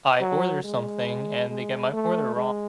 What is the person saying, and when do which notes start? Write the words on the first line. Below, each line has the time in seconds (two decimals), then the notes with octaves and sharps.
I order something and they get my order,
0.20 F#3
0.64 G#3
1.50 G#3
1.93 A3
2.36 G#3